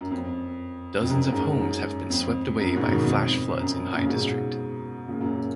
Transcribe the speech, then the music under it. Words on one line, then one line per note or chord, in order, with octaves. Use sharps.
Dozens of homes have been swept away by flash floods in Hai District.
F#2
F2
F2
F#2
G#2
F#2
F#2
F2
F#2
G#2 B2
B2 D#3
F2
F#2
F#2 A#2
C#3
G#2 B2
A#2 C#3
F#2 A#2